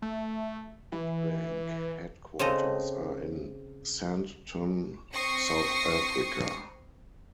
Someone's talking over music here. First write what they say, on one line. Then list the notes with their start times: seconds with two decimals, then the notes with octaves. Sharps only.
Nedbank headquarters are in Sandton, South Africa.
0.02 A3
0.92 E3
2.39 C#3 C4 A4 D#5
5.14 C4 C#6 D#6 A#6 C7 C#7